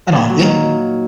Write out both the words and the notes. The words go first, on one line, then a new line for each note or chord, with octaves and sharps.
And aren't you?
A#2
F#3
D#3